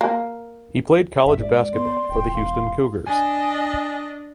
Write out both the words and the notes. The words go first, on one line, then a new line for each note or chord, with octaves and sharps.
He played college basketball for the Houston Cougars.
A#3
F#1 E5
G#2 D5
B3 C6
D#1 G5
E1 F5
D4 D#5 G#5